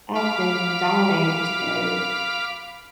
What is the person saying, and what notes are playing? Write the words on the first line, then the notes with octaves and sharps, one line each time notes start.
I've been dying to go.
F5 B5 D6